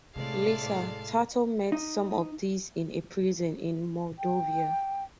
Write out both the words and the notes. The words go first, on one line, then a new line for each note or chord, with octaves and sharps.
Later, Tarto met some of these in a prison in Mordovia.
A2 C3 G#3 A4 D5 F5 A5
D#4
G5